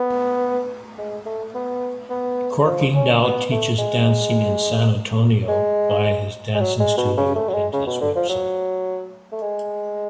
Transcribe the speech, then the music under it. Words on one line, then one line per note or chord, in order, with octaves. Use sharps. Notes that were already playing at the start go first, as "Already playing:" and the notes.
Corky now teaches dancing in San Antonio via his dancing studio, and his website.
Already playing: B3
G#3
A3
B3
B3
F3
C#4
B3
A3
G#3
G#3
G#3
F#3
G#3
B2
C#3
A3
F#3
G#3
C#3
B2
D3
F3
F#3
A3
G#3